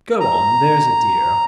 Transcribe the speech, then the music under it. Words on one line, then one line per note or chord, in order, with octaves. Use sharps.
Go on, there's a dear.
A#5